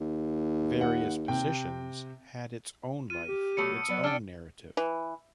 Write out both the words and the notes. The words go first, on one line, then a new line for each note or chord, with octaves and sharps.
"Various Positions" had its own life, its own narrative.
D#2
F#5
C3 G5
F4 F6 D#7
G4
B2 F#3 A3 E6 C#7
F#3 B3 D5
D4 G5 E6 F6 A6
E3